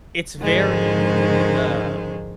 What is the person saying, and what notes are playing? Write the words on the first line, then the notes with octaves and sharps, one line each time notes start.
It's very, uh,
F2 G#2 D3 D#3 G#3 C5